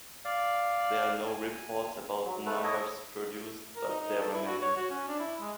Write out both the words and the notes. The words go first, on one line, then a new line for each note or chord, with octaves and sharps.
There are no reports about numbers produced, but there were many.
D5 F5
G#5
F#3
A3 A4 B4
E4 A4 C#5 D#5
A#4
D#4
D#4
A4
E4
F#4
C#5
F#4
C#4
D4
E4
G#3